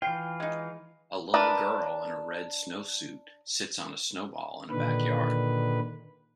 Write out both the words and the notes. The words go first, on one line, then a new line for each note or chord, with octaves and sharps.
A little girl in a red snowsuit sits on a snowball in a backyard.
E3 F4 G5
G#3 D#4
D4 A#4 B4
A#2 D3 D#3 B4